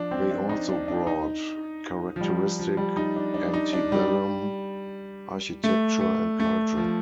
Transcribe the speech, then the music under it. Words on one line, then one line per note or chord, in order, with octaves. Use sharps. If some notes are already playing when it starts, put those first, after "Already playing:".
They also brought characteristic antebellum architecture and culture.
Already playing: F3 D4
C4
D4
D#4
D4
D4
D#4
F3
G3
F3
G3
D#4
D4
D4
D#4
D4
G3
A3
A3
A3
F3